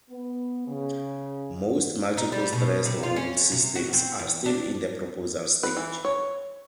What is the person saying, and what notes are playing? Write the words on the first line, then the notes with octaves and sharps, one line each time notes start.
Most multiple-threshold systems are still in the proposal stage.
B3
C#3
D#4
G3
B2
C3
F4
C#4
C3
F#4
C4
E2
D4
B4
E3
C#5